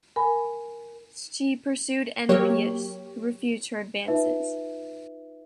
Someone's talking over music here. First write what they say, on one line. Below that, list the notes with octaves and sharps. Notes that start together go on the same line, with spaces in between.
She pursued Enipeus, who refused her advances.
A#4 G#5 B5
F#3 A#3 G4 C#5
D#4 F4 B4 E5